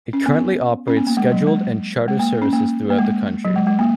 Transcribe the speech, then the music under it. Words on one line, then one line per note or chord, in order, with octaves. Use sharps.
It currently operates scheduled and charter services throughout the country.
C#4
B3
C#4
B3
A#3
G#3
F#3
G#3
G#3
A#3
C#4
A#3
A#3
G#3
F#3
G#3
G#3
A#3